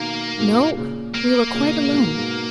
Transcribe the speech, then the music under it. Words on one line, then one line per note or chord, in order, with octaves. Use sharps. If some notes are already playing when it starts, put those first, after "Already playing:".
"No; we were quite alone."
Already playing: B2 D#3 A#3
G#2 B2
A#2 C#3
A#3
A#2 C#3
C#3
G#2 B2
G#2 B2